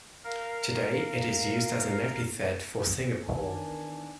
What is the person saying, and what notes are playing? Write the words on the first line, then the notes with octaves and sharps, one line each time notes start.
Today, it is used as an epithet for Singapore.
A#4 F5
E2 D#3 D4 A#4 G#5 A5